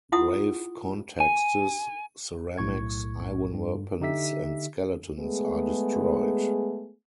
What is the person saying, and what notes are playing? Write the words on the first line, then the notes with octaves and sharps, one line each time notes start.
Grave contexts, ceramics, iron weapons and skeletons are destroyed.
E4 F4 F#5 C6 D#6
G#5
B1 A2 C#6 G#6
G2
D3 D#4 G4 E5 B6
G#3 A3 B3 G#4